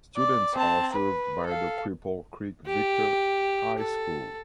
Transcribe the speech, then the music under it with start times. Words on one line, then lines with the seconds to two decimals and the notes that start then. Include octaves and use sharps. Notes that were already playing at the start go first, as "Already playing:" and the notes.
Students are served by the Cripple Creek-Victor High School.
0.17 D5
0.54 C4 A5
0.93 B4
1.46 A4 F5
2.67 G4
3.79 A4